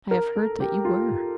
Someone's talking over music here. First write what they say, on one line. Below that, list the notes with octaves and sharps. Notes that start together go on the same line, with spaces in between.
I have heard that you were.
A#4
A4
G4
F4